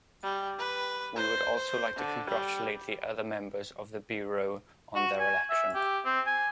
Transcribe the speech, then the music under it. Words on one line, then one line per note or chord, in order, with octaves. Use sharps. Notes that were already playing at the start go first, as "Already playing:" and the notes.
We would also like to congratulate the other members of the Bureau on their election.
G3
B4
C5
C5
D3
G3
F#4
G#5
E5
G4
C4
G#5